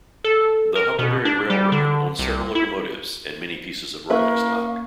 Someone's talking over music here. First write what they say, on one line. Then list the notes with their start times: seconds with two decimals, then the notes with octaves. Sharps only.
The Huckleberry Railroad owns several locomotives and many pieces of rolling stock.
0.24 A4
0.75 A#4
0.99 B2
1.25 D4
1.50 G3
1.72 D3
2.19 C2
2.55 E4
4.10 A#3 C#4 E4 A#4 B4 E5 F5 C#6